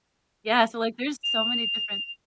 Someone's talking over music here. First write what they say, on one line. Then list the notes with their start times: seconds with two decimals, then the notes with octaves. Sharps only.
Yeah so, like, there's so many different
1.23 F7